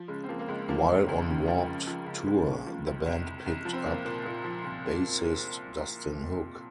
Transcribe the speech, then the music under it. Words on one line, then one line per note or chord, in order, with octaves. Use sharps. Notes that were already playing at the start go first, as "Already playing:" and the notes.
While on Warped Tour, the band picked up bassist Dustin Hook.
Already playing: F3
C#3 G#3
C4
F3 A#3
A#3
C#2 G#3
F3 A#3
C#2
C#2
C#3
F3
C#3
F3
C#2
C#2 G#3
C#2
F3
C#2
C2
C2
C2
F3
C4
C2 A#3
A#2
A#2
F3
C2
C2
C2
C2